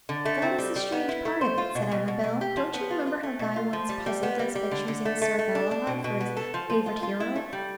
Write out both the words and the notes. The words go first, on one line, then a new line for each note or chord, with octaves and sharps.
'That is the strange part of it,' said Amabel. 'Don't you remember how Guy once puzzled us by choosing Sir Galahad for his favourite hero?
D3
A3
C4
G3
G3
B3
E4
A3
C5
F4
B2
B2
B2
B2
G4
F3
B3
F4
F4
A3
B2
F4
F3
G3
G3
B3
G3
G3
D3
D3
A3
A3
A3
D4
D4
B2
B2
B3
A4
F3
F3
F4
F4
E4
A3
G3